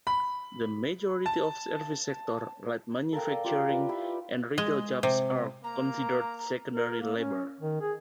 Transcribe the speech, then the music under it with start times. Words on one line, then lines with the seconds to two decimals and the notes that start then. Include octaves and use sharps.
The majority of service sector, light manufacturing, and retail jobs are considered secondary labor.
0.07 B5
1.26 A5
3.13 A4 A#4 F5 G5
3.31 D5
3.44 F4 G4 A#4 G5
3.69 F4 B4 D5
3.89 E4 F4 G4 B5
4.58 G#3
5.03 C3
5.64 A#3 A#5
6.72 A#4
7.01 A#3
7.15 C#4
7.61 D#3
7.81 G#4